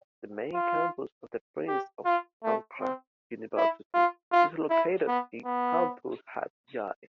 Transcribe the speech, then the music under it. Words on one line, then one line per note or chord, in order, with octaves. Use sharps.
The main campus of the Prince of Songkla University is located in Amphoe Hat Yai.
F4
G4
F4
A3
C4
E4
F4
F4
E4
B3
B3